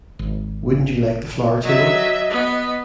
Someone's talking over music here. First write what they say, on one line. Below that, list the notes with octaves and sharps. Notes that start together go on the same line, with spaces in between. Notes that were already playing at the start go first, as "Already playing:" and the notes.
Wouldn't you like the flower-table?
G#1
F#3 D#5 E5
B3